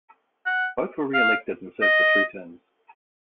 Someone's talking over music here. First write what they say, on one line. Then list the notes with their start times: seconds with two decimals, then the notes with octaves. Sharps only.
Both were re-elected and served for three terms.
0.46 F#5
1.14 F5
1.82 D#5